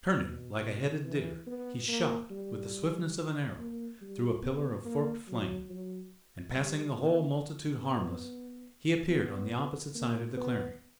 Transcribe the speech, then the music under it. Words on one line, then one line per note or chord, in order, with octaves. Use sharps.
Turning like a headed deer, he shot, with the swiftness of an arrow, through a pillar of forked flame, and passing the whole multitude harmless, he appeared on the opposite side of the clearing.
B2
B2
E3
B3
A#3
G3
A#3
G3
B3
A#3
F#3
F#3
G3
B3
B3
B3
A#3
B3